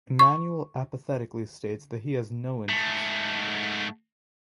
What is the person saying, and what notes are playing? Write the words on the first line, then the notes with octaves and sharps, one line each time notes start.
Immanuel apathetically states that he has no interest.
C#6
G#2 A3